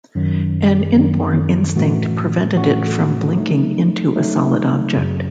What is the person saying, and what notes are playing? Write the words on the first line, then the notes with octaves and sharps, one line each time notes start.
An inborn instinct prevented it from blinking into a solid object.
F#2 D#3 F#3
F#2 D#3 F#3
A2 E3 A3 C#4 F#4
A2 E3 A3 C#4 F#4
F#3 A3 D#4
F#3 A3 D#4
F#2 C#3 F#3